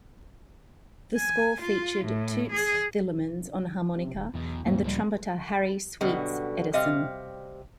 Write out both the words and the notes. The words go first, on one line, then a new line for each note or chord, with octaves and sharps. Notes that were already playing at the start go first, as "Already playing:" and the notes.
The score featured Toots Thielemans on harmonica and the trumpeter Harry "Sweets" Edison.
G#5
F4
A2
G#4
C3
D#1
B1 E2 B2
D#2 G#2 A3 A#3 C4
C#2 A2 F3 G3 A#3
F#2 B2 D3 G3
C3 G3 D#5 F5